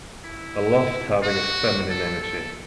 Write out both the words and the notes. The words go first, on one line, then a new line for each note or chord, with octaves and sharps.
I loved having a feminine energy.
E4
F#4
A4
A4